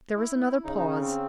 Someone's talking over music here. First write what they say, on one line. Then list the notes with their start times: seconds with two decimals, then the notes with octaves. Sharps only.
There was another pause.
0.16 E4
0.41 E4
0.64 C#3 D#4
0.76 D#4
0.89 C#4
1.01 C4